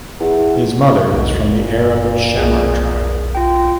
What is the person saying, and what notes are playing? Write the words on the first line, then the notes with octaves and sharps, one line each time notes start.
His mother is from the Arab Shammar tribe.
E2
B1 E2 B2
F#1 A#2
B1 G#4
F4 G5